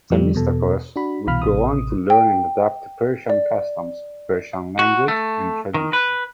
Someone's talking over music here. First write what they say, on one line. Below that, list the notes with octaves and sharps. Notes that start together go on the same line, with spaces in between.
Themistocles would go on to learn and adopt Persian customs, Persian language, and traditions.
F2 F3 G3
E2 B2 A4
D4 F#4 B5
C2 B2 E3 F5 B5 F6
A1 C3 D#6
G5
D5
F#4
A3
D#3
B4